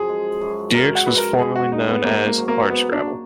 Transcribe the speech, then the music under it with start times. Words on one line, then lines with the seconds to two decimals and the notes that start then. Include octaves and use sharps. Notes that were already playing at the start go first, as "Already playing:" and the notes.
Dierks was formerly known as "Hardscrabble".
Already playing: F#2 F3 G#4
0.09 G#3
0.41 F#2
0.74 F#2 A#4
0.95 F#5
1.06 F3 B4
1.17 A#4
1.39 G#3 G#4
1.56 F#4
1.72 F#2 D#4
1.88 B3
2.04 G#2 A#3
2.26 A#3
2.37 F#3
2.48 A#3
2.70 A#3 B3
2.92 D4